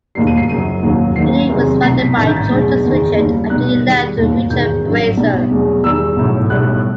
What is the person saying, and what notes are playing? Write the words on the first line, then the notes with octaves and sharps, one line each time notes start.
Unic was founded by Georges Richard after he left Richard-Brasier.
E1 D#2 D#3 G3 C7
D#7
C7
F#1 F#2 F#3 D#7
E1 D#2 D#3 F#3
D#2 D#3 F#3 C7
E2 C3 D#3 F#3
C2 B2 F#3 C7
B6
A1 G2 D#3 A6
G6
A6
E2 B2 F#3
F#1 E2 D#3
D#2 D#3 G3
B1 B2 G3 F#6
E2 D#3 G3
E1 D#2 D#3
E1 E2 D#3 G6
A1 G2 F#3
B1 B2 G3
E2 B2 F#3
E2 D#3 G3 E6
B1 A2 F#3
B1 A2 G3 F#6